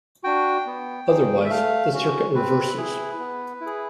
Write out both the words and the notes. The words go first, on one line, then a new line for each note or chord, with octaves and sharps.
Otherwise the circuit reverses.
D4 F#4 G5
B3
D#4 G#4
E5
A3 F5
C#4 F#4
C4 B4
E4 G#4
B3
E4
G#4